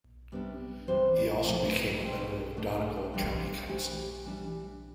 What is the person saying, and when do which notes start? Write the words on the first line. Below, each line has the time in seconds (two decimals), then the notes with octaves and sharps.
He also became a member of Donegal County Council.
0.32 C3 G3 B3 D4
0.87 C3 E3 G3 B3 C5
1.16 D5
1.44 C3 F3 A3 C5
1.72 B4
2.00 B2 G3 C4 A4
2.57 B2 A3 D4
3.12 C3 E3 G3 B3 D4
3.69 E3 A3 C4 G4
4.25 E3 G3 D4